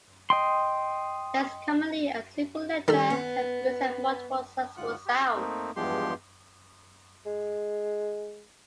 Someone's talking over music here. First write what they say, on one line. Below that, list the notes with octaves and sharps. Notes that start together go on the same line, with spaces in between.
Less commonly, a single letter can represent multiple successive sounds.
D#5 G5 C6
D#3 G3 A4 E6
B3
D2 G#2 F4 F#5 F#6
G4
A3 A#3 C4 D#4
E2 G2 F3 G#3 G4 C6
G#3